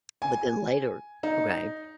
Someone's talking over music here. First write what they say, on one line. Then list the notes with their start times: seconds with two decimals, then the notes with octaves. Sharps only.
But then later, okay,
0.22 G#5
1.23 D#4